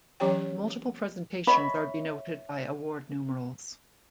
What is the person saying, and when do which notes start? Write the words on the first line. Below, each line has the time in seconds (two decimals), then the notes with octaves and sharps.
Multiple presentations are denoted by award numerals.
0.20 E3 F#3 C#4 G4 C#5 G5
1.47 C#5 D#5 E5 B5